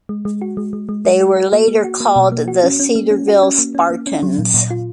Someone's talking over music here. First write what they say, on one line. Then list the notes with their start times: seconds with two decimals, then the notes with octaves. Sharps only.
They were later called the Cedarville Spartans.
0.09 G#3
0.25 G#3
0.41 F#4
0.57 G#3
0.73 G#3
0.89 G#3
1.05 G#3
1.21 F#4
1.37 F#4
1.53 A#3
1.68 A#3
1.84 F#4
2.00 A#3
2.16 B2
2.32 A#3
2.48 F#4
2.63 C#4
2.79 C#4
2.95 A#3
3.11 C#4
3.28 F#4
3.43 C#4
3.58 A#3
3.75 C#4
3.90 A#3
4.07 C#4
4.23 F#3
4.38 A#2
4.54 A#2
4.70 F4